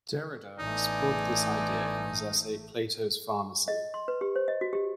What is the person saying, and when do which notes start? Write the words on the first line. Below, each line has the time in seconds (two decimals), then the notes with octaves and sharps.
Derrida explored this idea in his essay "Plato's Pharmacy".
0.59 A1 A3 B3 D#4 D5 G#5
3.68 D#5
3.94 C6
4.08 B4
4.21 G4
4.36 C5
4.48 D#5
4.61 F#4
4.73 G4